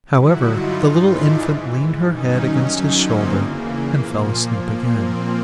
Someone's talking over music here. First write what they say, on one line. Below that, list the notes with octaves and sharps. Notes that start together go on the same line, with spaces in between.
However, the little infant leaned her head against his shoulder, and fell asleep again.
G2 D3 F#3 E4 F#4
D#4 F4
G#2 E3
D4 E4
G#2 E3
G2 D#3 F#3 C#4 D#4
F#2 D3 F#3 C#4 D#4
A#3 C4
E2 C#3 E3 A#3
A#3
A#2 F3
A#3
A#2 F3
A#3 C4